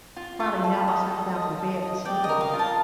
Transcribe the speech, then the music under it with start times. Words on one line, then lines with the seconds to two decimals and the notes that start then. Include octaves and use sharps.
probably nail myself down to the bed to sleep longer.
0.17 F4
0.40 F4
0.64 A4
0.87 D#5
1.11 A4
1.35 D#5
1.59 A4
1.82 D#5
2.05 D5 G5
2.24 D#5
2.29 A#4
2.41 F5
2.53 F4
2.59 A5